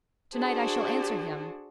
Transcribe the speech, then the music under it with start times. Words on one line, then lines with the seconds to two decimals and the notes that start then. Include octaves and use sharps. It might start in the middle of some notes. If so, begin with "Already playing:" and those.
To-night I shall answer him.
0.34 D4 F#4 G#4 A4 C5